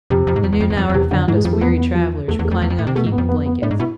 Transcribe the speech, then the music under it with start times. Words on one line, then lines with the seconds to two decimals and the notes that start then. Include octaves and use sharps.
The noon hour found us weary travelers reclining on a heap of blankets.
0.10 F2 C3
0.27 F2
0.36 G#2
0.44 F2
0.53 E2
0.60 F2
0.70 E2
0.77 F2
0.89 F2
0.94 E2 C3
1.11 F2 D3
1.28 G#2 E3
1.36 G#3
1.44 F2 F3
1.53 A3
1.61 E2 B3
1.78 B3
1.95 F3
2.28 E2 A3
2.39 E2
2.45 A3
2.51 F2
2.62 E2
2.70 F2
2.79 A2
2.87 C3
2.95 B2 A3
3.06 G#2
3.12 B3
3.18 F2
3.29 B3
3.46 B3
3.62 A2 D4
3.71 G#2
3.79 B2 E4